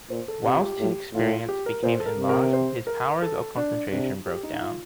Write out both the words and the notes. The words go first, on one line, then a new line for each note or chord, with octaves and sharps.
Whilst his experience became enlarged his powers of concentration broke down.
A#2 C5
A4
C3 G4
F4
G4
A2
A2 F4
F4
G4
A#4
A#2 C5
A4
A#4
C3
A#4
C5
A#4
A4
D4
C3 D4
G4
D#4
D#4
F4